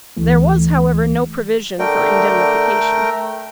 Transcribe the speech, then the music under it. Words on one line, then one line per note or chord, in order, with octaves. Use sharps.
There was, however, no provision for indemnification.
D2 E3 A3
D3 A3 A#4 G5